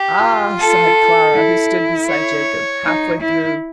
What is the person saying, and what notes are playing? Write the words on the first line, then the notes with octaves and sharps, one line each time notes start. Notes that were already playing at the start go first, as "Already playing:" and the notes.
"Ah," sighed Clara, who stood beside Jacob, half-way through.
Already playing: G4
F4
A4
E4
C#5
D#4
E4